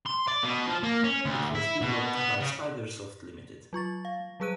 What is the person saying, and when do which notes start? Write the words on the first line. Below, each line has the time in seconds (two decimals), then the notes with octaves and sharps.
It was developed by Spidersoft Limited.
0.07 C6
0.28 D5
0.44 B2
0.67 F3
0.83 A#3
1.04 C#4
1.25 D2
1.55 E4
1.81 B2
2.15 B3
2.40 C#3
3.73 F#3 F4 C#6 A6
4.05 F5
4.40 F#3 G3 G#4 B4 F#6 D#7